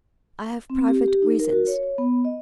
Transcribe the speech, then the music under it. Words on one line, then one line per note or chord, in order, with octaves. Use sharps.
"I have private reasons."
C4
G4
G4
D#4
A#4
F#4
C#5
C#5
B3
D#5